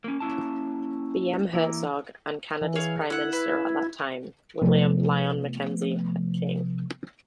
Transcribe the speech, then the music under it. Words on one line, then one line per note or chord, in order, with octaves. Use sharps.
B. M. Hertzog and Canada's Prime Minister at that time, William Lyon Mackenzie King.
A#3 C#4
A#3 C#4 E4 A5
E3 A#3 E4
E3
G#4 C#5 F5
E4 F#5 F#6
B4
C3 F3 A3 B3